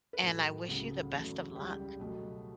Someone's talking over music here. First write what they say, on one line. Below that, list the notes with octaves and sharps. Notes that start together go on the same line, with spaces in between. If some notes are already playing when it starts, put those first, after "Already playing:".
and I wish you the best of luck.
B4
A2 F#3 A3 A4
C#2 C#3 F#3 B3
E2 C#3 F#3 A3
C#2 C#3 G3 G4
B2 F#3 A3